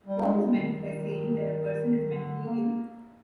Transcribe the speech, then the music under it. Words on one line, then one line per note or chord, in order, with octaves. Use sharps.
What was meant by saying that a person is mentally ill?
G3
G#3
G3
D#3
D3
A#3